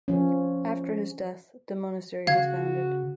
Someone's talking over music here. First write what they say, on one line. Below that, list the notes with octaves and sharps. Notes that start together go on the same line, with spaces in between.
After his death, the monastery was founded.
F3 C#4
C#3 F#4 F5 G#6